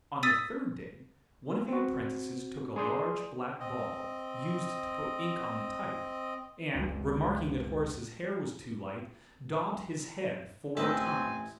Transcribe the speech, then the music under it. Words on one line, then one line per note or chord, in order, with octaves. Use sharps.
On the third day, one of the apprentices took a large black ball, used to put ink on the type, and remarking that Horace's hair was too light, daubed his head four times.
D#6 E6 A6 B6 D#7
C4 F#4
G#4 D5 C6 D#6 G6
C4 D#5
F#1 C#2
A1 C4 E4 B4 D#5 E5 G#5 A5